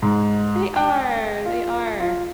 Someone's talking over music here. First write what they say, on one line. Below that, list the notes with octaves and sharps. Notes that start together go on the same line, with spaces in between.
They are, they are.
G#2
G5
F4
F4